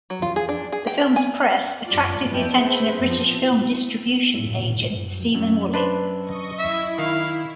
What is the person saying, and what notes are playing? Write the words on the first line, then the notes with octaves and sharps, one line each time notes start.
The film's press attracted the attention of British film distribution agent Stephen Woolley.
F#3
F4
G#4
D4
G#4
G5
A5
G#5
F4 D5
B3 E4 D#5 E5 G5 A5
C4 G#4 B4 C5 E5
F3 B3 C4
F#2
D4 B4 C5
D#5 C#6
E4 E5
D#3 F5